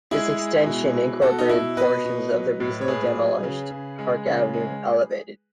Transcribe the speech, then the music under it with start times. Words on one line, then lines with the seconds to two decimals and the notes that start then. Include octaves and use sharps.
This extension incorporated portions of the recently demolished Park Avenue Elevated.
0.11 G#3 E4 G#4
0.39 G#3
0.66 B2
0.94 B2
1.22 B2 F#4 A4
1.39 D#4
1.49 B2 E4
1.77 B2 B4 D#5
2.05 B2
2.32 F#3
2.60 A2
2.81 C#5
2.88 A2 G#4 B4
3.15 F#3
3.43 C#3
3.71 C#3
3.98 G#3
4.26 C#3
4.53 G#3